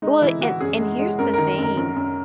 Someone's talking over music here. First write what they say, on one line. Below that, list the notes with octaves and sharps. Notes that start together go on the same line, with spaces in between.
well, and and here's the thing,
G#3 D#4
E3 E4
E3 F#4
F#2 G#4
G#3
G#3
F#2 A#4
D#3 A#4
F#2 A#4
F#2
F#2